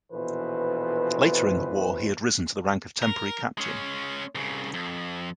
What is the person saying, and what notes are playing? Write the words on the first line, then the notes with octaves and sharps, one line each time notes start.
Later in the war he had risen to the rank of temporary captain.
A#1 B2 E3 A4 B4 C5
A#4
G#3 C#4
C2 C#3
F2